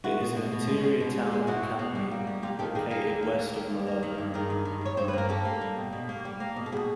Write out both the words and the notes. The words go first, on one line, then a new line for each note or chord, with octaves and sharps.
It is an interior town of the county, located west of Malone.
G#3 E4 F#4
B2
B2
B2
G#3
G#3
B2
G#3
G#3
B2 E4 F#4
B2
B2
G3
A#3
G3
A#3 F4 G4
D#3 G4 A4
G3 G#4 A#4
A#3 G#4 A#4
D#2
A#3
A#3
D#2
D#2
A#3
D#3
G2
D#3 G#4 A#4
G2
D#3
G2 C#5
G2 C5
B4
A#3 A#4
A#3 G4 A4
A#3
G3
B2
B2
A#3
G3
A#3
B2
A4
B2 F#4 G#4